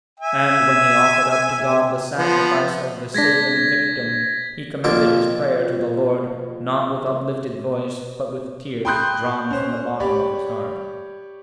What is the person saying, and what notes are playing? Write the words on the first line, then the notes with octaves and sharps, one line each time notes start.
And when he offered up to God the Sacrifice of the saving Victim, he commended his prayer to the Lord, not with uplifted voice, but with tears drawn from the bottom of his heart.
E5 G#5
F3 B3
G#3 D4 G#6 A#6 B6
F2 A#2 F4 A4 D6
G5 B5 C6 D#6 F#6 G6
C#4 C5
G4 C#5 D5 B5